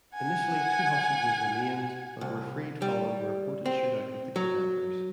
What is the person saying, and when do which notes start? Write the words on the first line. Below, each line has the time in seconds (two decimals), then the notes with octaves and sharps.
Initially, two hostages remained but were freed following a reported shootout with the kidnappers.
0.14 F#5 G#5
2.21 C2
2.82 G3
3.66 C4
4.36 F#3